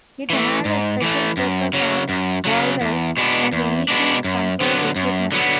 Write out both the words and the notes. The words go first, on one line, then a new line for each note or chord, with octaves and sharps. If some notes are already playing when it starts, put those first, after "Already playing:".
It had a special focus on boilers and emissions control equipment.
E3 A3
G#2
E3 A3
F#2
C#3 F#3
F#2
C#3 F#3
E2
B2 G#3 B3 D4
E2
B2 G#3 B3 D4
F#2
D3 F#3 B3
F#2
D3 F#3 B3